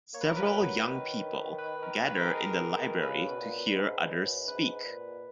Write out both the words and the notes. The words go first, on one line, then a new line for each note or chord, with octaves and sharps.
Several young people gather in the library to hear others speak.
A#3 C#5
B4
A#4
B4
E3
F#3
D#3
B4
A#4
B4
A#4
G#4
A#4
C#3 B4
B2
A#2
A#2
G#2
F#2
G#2 B4
A#2